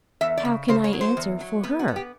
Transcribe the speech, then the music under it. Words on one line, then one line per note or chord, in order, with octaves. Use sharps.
How can I answer for her?
E2 E5
D5
C#3
C#3 C5
C#5
F#3
C5
E2
F#3
B3 B4
F#4
B3
G4